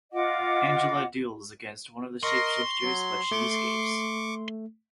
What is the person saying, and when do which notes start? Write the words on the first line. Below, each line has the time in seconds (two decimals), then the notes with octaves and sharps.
Angela duels against one of the shapeshifters but she escapes.
0.12 F4 D#5 F#5 D6
2.23 A#4 D#5 C6 C#6 A#6
2.83 F#3
3.32 A3 C#6 D6